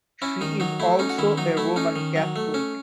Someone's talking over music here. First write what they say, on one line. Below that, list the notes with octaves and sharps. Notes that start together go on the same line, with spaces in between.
She is also a Roman Catholic.
C#4 E4
D#3 D#4
F#3 D#4
A3 E4
C#4 D#4
F#4
D#3 E4
F#3 D#4
A3 E4
C#4 D#4
D#3
F#3
A3
C#4